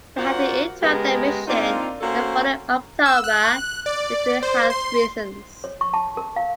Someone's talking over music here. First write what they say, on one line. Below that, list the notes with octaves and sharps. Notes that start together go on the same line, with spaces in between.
They had to interrupt their mission the following October due to health reasons.
F4 F#4 A#4 C5 D5 F#5
C#3 G#3 B3 G4 G#4 A#4
A#3 C4 D4 D#4 F4
A#3 C#4 F#4 A4 C5 F#5
E6
F#6
D5
C5
C6
C#5
C#6
A5
A#4
F5